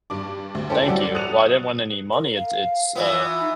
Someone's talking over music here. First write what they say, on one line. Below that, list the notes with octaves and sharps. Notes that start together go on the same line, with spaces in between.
Thank you while I didn't win any money, it's it's a
G2 D4 D6
D2
C#4 E4 A4 C5 G5 A5
F#3 G3 D5 F#5 E6
D#6 F#6 A6 C#7 D#7 F7
A#4
F5
E3 B3 F4
D#4